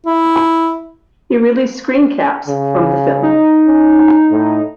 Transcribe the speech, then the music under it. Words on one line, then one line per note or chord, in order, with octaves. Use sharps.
He released screencaps from the film.
E4
C#3
D#4
C#4
A2